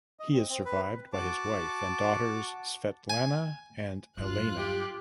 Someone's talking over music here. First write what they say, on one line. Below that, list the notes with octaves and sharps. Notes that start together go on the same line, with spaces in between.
He is survived by his wife and daughters Svetlana and Elena.
D#5
C4
C4
B4
F#4 A5 D6
G#5
G2 F#3 F4 F#6
G4